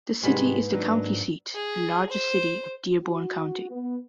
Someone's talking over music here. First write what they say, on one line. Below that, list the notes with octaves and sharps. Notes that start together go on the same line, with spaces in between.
The city is the county seat and largest city of Dearborn County.
G#2 C3 D#3 G3 G#3 F#4 B4
D#3 F#3 A#3 D4
G#4
C5
F#4
B3